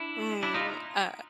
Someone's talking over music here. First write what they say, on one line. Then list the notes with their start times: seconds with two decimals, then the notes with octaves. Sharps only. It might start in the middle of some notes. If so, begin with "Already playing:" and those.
Ooh, uh,
Already playing: D4 E4
0.43 D4 E4
0.54 D#4 F4